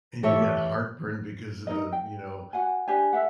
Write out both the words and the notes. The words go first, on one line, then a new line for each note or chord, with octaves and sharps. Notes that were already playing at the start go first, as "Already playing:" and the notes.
And you got heartburn because of the, you know,
E3 A3 G4 A4 C#5 E5
D#4 A#4 D#5
G5
F#4 F#5 G#5
D4 G4 C5 G#5
A4 E5 F#5